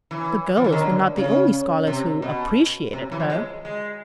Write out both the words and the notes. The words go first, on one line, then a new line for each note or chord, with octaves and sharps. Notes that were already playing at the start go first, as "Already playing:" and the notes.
The girls were not the only scholars who "appreciated" her.
E3
F3
E3
D#3
D3
C#3
C3
B2
C3
E3
F3
G#3
G#3